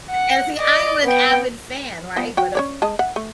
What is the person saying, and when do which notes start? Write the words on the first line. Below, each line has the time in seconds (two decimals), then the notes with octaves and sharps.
And see, I'm an avid fan, right? But of
0.11 F#5
0.57 D5 D#5
1.04 B3 G5
2.16 F3 B3
2.37 F#4 G5
2.55 C#4 C#5 D5
2.82 G#3 D#5 A5
2.99 E5 F#5
3.16 A3